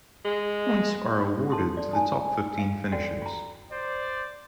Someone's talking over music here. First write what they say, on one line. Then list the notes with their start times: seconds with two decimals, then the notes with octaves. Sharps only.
Points are awarded to the top fifteen finishers.
0.25 G#3
1.50 A4 A5 C6 D#6
1.77 D5
1.91 G#5 A5 D#6
2.59 F5
2.92 F#4 A4 D5 G5
3.22 F4 A#5
3.72 C5 D5